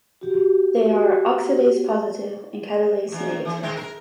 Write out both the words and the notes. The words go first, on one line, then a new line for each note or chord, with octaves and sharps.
They are oxidase positive and catalase negative.
F#4 G4
E2
E3
D#3 G#3 C4
A#4